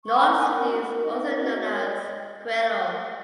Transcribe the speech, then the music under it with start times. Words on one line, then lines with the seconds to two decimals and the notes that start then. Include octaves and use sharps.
North City is also known as "Coello".
0.04 C#6
0.15 B5
0.26 A#5
0.38 G#5
0.49 A#4 F#5
0.68 F#4
0.86 D#4
1.03 D#4 D#5
1.22 A#4 C#5
1.30 D#5
1.39 F#4
1.57 C#5